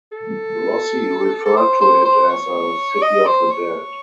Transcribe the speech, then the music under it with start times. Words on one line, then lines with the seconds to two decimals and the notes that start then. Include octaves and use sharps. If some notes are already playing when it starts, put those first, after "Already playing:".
Rossi referred to it as a "city of the dead".
0.12 A4
1.45 A4
1.57 C5
1.81 C5
2.05 C5
2.30 C#5
3.02 D#5
3.27 C5
3.50 C#5